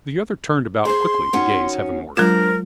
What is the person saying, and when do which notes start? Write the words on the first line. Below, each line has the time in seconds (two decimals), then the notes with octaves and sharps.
The other turned about quickly to gaze heavenward.
0.85 G#4 C5 C6
1.33 D#3 C#4 F#4
2.17 F#3 G#3 D4 F4 A#4 C5